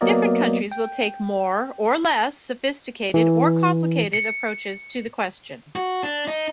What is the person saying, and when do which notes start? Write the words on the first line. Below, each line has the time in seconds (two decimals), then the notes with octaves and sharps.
Different countries will take more or less sophisticated, or complicated approaches to the question.
0.01 F#3 A#3 B3 A#4 D5 D#5
0.72 G5
3.14 E3
4.13 C#7
5.76 F#4
6.03 D4
6.28 D#4